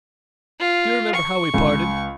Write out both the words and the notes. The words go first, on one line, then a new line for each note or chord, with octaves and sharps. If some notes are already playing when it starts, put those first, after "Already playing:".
Do you remember how we parted?
F4
C#6
C#2